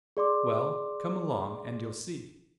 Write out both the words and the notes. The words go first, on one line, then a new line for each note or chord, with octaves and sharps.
"Well, come along and you'll see!"
G#4 D5 C6 D6